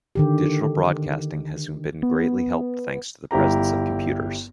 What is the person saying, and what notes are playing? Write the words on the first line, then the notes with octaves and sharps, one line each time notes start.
Digital broadcasting has been helped greatly thanks to the presence of computers.
D3 D#3 G4
B3
G1 E4 G4 A#5